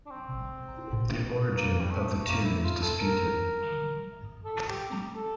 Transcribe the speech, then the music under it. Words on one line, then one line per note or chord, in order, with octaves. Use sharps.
The origin of the tune is disputed.
D4
C4
A#3
G3
A3
A#3
E4
F4
A4
A#4
A4
G4
A4